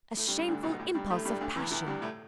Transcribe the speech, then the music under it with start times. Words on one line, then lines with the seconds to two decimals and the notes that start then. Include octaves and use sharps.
A shameful impulse of passion.
0.17 A2 A3
0.27 G2 G3
0.38 G2 G3
0.48 D2 D3
0.63 B1 B2
0.79 A2
0.94 G2 G3
1.10 A2 A3
1.25 G2 G3
1.41 D2 D3
1.56 E2 E3
1.71 E2 E3
1.86 G2 G3
2.02 A2 A3